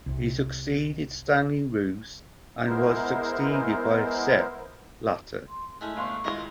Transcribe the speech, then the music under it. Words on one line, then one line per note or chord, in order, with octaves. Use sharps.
He succeeded Stanley Rous and was succeeded by Sepp Blatter.
C2 C3
G#3 B3 E4 A#4 C5
C6
G#3 A3 C#4 E4
G1 F5 C6 C#6
G#1 G#3 E4 F4 A#4 D#5